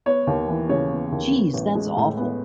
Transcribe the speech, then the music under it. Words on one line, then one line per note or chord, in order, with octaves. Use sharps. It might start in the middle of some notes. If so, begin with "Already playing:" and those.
Jeez, that's awful!
B3 C#5
D#2
E3
C#3 C#5
B3
D#2
B3
A1
G#3
A2
B3